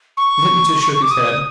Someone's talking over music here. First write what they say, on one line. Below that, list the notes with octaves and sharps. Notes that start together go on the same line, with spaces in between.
The hypnotist shook his head.
C#6
C#6
D6
D#6